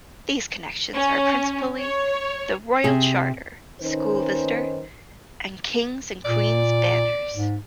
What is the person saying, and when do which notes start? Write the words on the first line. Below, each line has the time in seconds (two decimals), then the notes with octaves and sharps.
These connections are principally The Royal Charter, School Visitor, and King's and Queen's Banners.
0.94 C#4
1.79 C#5
2.84 C3 G#4
3.81 D#3 C#4 D#4 B4 C5
6.25 A#2 D5
7.33 G#2